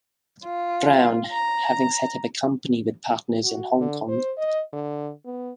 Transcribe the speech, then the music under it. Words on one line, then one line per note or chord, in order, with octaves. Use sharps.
Brown, having set up a company with partners in Hong Kong.
F4
A#5
F#4
D3
C5
D#5
D3
B3